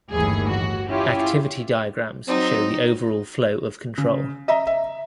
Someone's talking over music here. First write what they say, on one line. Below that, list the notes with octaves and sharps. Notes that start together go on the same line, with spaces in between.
Activity diagrams show the overall flow of control.
G1 D#2 A2 E3 G#4
F#4
C#4 E4 F4 G4
F#3 C4 D#4
C#3
D#5 E5 A#5
E5